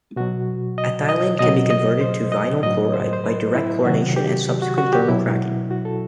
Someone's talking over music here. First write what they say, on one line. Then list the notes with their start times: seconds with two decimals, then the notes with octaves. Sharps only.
Ethylene can be converted to vinyl chloride by direct chlorination and subsequent thermal cracking.
0.16 B2 F#3 F#4
0.78 D#5
1.09 D#5
1.39 B2 F#3 D#5
1.70 D#5
2.01 C5
2.32 D#5
2.63 A2 F#3 D#5
2.94 C5
3.13 C5
3.24 B4
3.55 E4
3.85 C3 D#3 F#3 F#4
4.16 G4
4.62 F#4
4.78 F#4
4.93 G4
5.08 B2 F#3 E4
5.71 F#4
5.85 A4